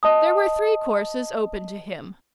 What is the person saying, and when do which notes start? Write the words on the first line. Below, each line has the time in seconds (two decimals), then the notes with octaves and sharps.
There were three courses open to him.
0.03 D#5 A5 D#6